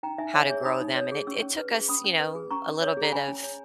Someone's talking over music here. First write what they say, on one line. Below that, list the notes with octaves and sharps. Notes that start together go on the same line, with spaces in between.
how to grow them and it it took us, you know, a little bit of
D#4 G5 A#5
D#4 E5 G#5
C#5 E5 G#5
G#4 C#5 E5
D#4 B5 D#6
D#4
C#5
G#4
C#4 C#6 E6
C#4
B4
G#4
C#4 B5 D#6
C#4
B4
G#4
C#4 A#5 C#6
C#4
C#5
G#4
A#5
C#4 G#5 B5
C#4
C#5